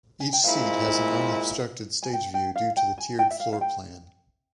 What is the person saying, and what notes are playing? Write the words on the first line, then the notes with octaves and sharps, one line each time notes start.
Each seat has an unobstructed stage view due to the tiered floor plan.
G#5
G5
A#2 G#3 C4 E4 F5
G#5
G5
G5
F5
G5
G#5
G5
E5
F5
F5
G5